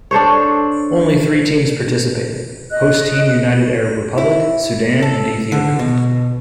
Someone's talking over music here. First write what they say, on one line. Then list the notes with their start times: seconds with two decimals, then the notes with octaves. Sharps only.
Only three teams participated: host team United Arab Republic, Sudan and Ethiopia.
0.11 D4 A4 C5 C#5
2.70 D#5 F#6
4.18 E4
5.02 A4
5.52 D3
5.79 B2